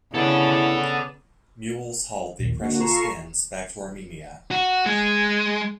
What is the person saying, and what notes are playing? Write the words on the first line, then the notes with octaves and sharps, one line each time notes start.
Mules hauled the precious skins back to Armenia.
C#3 B3 E4 A4 D5
A#1 D#2 A#2
D3 A#3 F#4
F4 A4 A#5 C#6 C7 E7
F#4
G#3